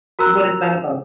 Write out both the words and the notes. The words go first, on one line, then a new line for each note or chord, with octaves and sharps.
What is that about?
F#4 A#4 A#5 E6 F#6